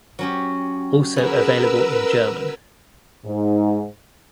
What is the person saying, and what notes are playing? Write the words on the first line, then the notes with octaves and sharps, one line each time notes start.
Also available in German.
F#3 C#4 G4
B3 G#4 A#4 B4 E6
G#2